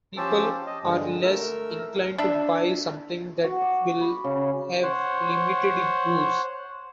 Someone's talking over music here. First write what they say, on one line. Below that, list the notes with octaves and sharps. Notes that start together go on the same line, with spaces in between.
People are less inclined to buy something that will have limited use.
F3 C#4 G4 C5 A5 E6
D#5
G2 D3 G#3
A3 A#4 E6
D4 E5
F#4
D5
B5
C#3
C5 C#5 F#5